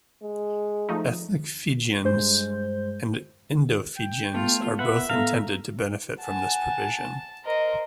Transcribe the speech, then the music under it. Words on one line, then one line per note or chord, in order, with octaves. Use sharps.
Ethnic Fijians and Indo-Fijians are both intended to benefit from this provision.
G#3
F3 A3 D#4
G2 G#3 C5 G6
G5
A3 B3 F4
B4 E5 F#5
A2 B3 A4 F5 A#5
F#5 G#5 A5
A#4 C5 D#5